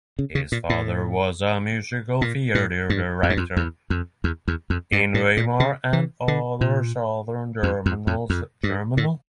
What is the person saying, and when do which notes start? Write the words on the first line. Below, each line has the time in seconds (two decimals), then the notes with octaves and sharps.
His father was a musical theatre director in Weimar and other Southern German centers.
0.19 C#3
0.35 C#3
0.52 A#2
0.70 A2
2.21 A#2
2.55 A2
2.90 G2
3.23 F2
3.30 G2
3.37 F2
3.57 E2
3.90 F2
4.24 E2
4.48 E2
4.70 F2
4.93 G2
5.14 A2
5.37 A#2
5.60 C#3
5.93 E3
6.28 D3
6.61 A#2
7.63 F2
7.86 F2
8.07 F2
8.30 F2
8.63 G2
8.97 A2